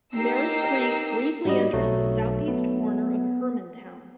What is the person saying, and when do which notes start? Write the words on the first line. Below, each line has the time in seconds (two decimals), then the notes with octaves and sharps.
Merritt Creek briefly enters the southeast corner of Hermantown.
0.15 D#4 G4 A#4 A#5 E6 C7
1.45 G#2 F#3 G3 D#5
1.73 B1 F#3 A3
2.48 B3